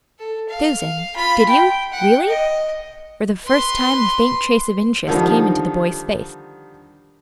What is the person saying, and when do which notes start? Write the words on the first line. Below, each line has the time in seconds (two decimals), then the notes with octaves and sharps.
"Susan, did you, really?" For the first time a faint trace of interest came into the boy's face.
0.19 A4
0.49 F5
1.16 F4 B5
1.48 G5
1.92 F#5 G5
2.28 D#5
3.45 B4 C6
5.08 D3 D#3 F3 G3